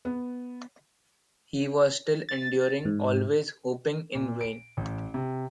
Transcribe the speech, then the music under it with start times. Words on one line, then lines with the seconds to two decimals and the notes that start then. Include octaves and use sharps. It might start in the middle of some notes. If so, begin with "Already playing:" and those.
He was still enduring, always hoping in vain.
0.05 B3
2.29 A6
2.85 G#2
4.15 A#2
4.41 D7
4.77 A1
5.14 C3